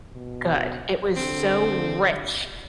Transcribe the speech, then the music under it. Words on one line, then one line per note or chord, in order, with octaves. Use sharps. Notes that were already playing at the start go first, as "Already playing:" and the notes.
good. It was so rich,
B2
D3 C4